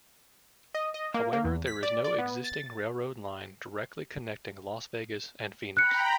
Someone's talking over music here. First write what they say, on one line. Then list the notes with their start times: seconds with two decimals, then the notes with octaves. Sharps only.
However, there is no existing railroad line directly connecting Las Vegas and Phoenix.
0.75 D#5
0.94 D#5
1.14 A#3
1.33 A#3
1.45 E2
1.67 B6
1.83 D5
2.04 D5
2.18 B3
2.44 A6
5.77 G5 A#5 B5 F#6 C#7